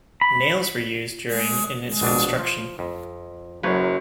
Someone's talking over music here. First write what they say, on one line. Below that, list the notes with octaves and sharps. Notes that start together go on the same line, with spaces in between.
Nails were used during in its construction.
B5
A#1 B2 D4
F3
F2
F#1 F#2 B4 C#5